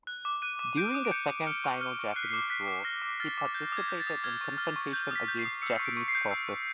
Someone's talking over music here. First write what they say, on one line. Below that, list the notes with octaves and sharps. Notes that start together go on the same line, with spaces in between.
During the Second Sino-Japanese War, he participated in confrontation against Japanese forces.
F#6
D6
F#6 D#7
D6
G6 D7
D#6
D7
G6 C#7
D#6
F6 C#7
C#6
F6 C#7
C#6
F#6 C7
B6
C7
D6
F#6 B6
D6
F6 A#6
D6
F6 A6
D6
G6
D#6 G#6
G6
A6
D#6
F6 G#6
C#6
F6
C#6
G6
D#6 B6
G6
C7
D#6
E6 C#7
C#6
D7
C#6
C7
G6
E6 C7
C#6